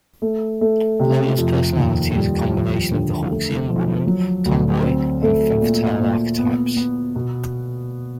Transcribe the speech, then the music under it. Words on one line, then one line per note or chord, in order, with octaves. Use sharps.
Lola's personality is a combination of the Hawksian woman, tomboy and femme fatale archetypes.
A3
A3
C3
F2
D#2
G3
F3
D3
A3
F3
F#3
D2
C4
A3
A#2
A#2
B3
B3
B2